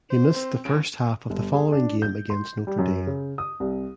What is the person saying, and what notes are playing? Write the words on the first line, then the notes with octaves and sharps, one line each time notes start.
He missed the first half of the following game against Notre Dame.
C5
C4
C#2 C#3 D7
G1
G#4
D4
G6
C6
G3
F#2
C#3
D#6
C2